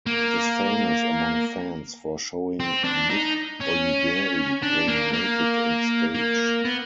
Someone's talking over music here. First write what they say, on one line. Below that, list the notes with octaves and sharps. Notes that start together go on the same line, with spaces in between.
It is famous among fans for showing Nick Oliveri playing naked on stage.
A#3
C4
D4
D#4
C#4
D4
A#3
A#3
A#3
B3